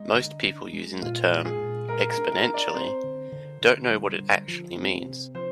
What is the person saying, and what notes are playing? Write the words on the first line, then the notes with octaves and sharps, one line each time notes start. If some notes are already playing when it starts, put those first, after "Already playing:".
Most people using the term "exponentially" don't know what it actually means.
Already playing: G#3 D#4
D3
D4
G#3
A#2 F4
G#3
G#4
A#2
G#3 A#4
A#4
D4
A#4
D4
D5
C4 C5
D3
D3
D3
G3
D3
F3
C4
C3
F3 C5